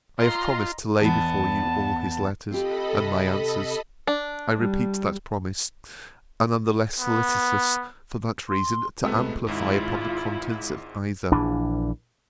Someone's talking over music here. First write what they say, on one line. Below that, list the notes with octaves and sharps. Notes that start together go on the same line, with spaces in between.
I have promised to lay before you all his letters, and my answers: I repeat that promise: and am the less solicitous, for that reason, to amplify upon the contents of either.
F4 D#5 A#5 C6
E2 B3 A5
C4 F4 G4 A4 D#5 B5
C3
D4
G3
B3
C6
C#2 C3 A3 B3
G#1 G#2 E4 F4
A#1 E3 D4